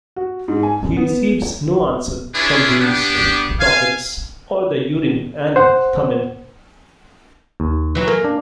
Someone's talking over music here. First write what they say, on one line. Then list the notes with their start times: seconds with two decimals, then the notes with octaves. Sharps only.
He receives no answer from dreams, prophets, or the Urim and Thummim.
0.16 F#4
0.48 G#2
0.63 G#5
0.83 F#2
0.97 B3
2.35 C#4 D4 E4 F4 G#4 B4
2.79 B3 D4 G4
3.60 F5 G#5
5.56 C5 F#5
7.60 D#2
7.95 E3 F#3
8.08 A#3 G#5
8.24 D4